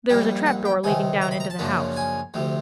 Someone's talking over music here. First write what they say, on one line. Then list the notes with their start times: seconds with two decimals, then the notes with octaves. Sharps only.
There was a trap-door leading down into the house.
0.09 A#1 A#2 G3 A#3 G5
0.46 F#5
0.65 G5
0.84 C#2 C3 D#3 G#5
1.21 A#5
1.31 B5
1.40 A#5
1.50 A5
1.59 F#2 C#3 F3 A#3 D4
1.97 G#5
2.34 D2 C3 F3